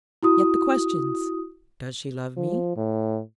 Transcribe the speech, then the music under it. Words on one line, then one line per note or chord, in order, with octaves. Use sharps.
Yet the questions--Does she love me?
E4 F#4 D#6
F3
A2